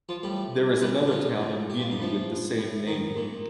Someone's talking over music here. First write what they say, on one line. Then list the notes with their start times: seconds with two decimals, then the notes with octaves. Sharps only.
There is another town in Guinea with the same name.
0.09 F3 F4
0.23 A2 G3 G4
0.82 A#2 G3 G4
1.07 D#4
1.11 F3 F4
1.40 A2
1.70 G4
1.81 F4
1.91 D#4
1.99 A2 F3 F4
2.57 A2
2.87 D#3 D#4
3.16 A#2